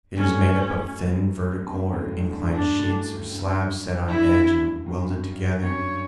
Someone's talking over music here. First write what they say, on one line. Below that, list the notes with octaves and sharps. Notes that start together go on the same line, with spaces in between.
It is made up of thin vertical or inclined sheets or slabs set on edge and welded together.
F#2 A2 C#4
F#2
G2
F#2 A2
G2
G2
G2 D4
A2
G2
G2
F#2
G2
E4
F#2
G2
F#2
F#2 C#5